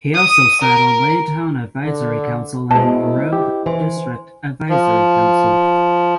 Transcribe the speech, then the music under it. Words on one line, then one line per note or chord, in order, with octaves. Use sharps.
He also sat on Lae Town Advisory Council and Morobe District Advisory Council.
D#6
A#4
D3
B2 G#3 E4 C5 D#5 A5
G4
E3 C5 G#5 C6
F3